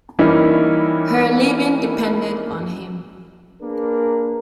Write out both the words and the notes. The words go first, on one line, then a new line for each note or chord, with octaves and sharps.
Her living depended on him.
E3 G3 A#3 C#4 D#4 E4
A#3 D4 G#4 A#4 B4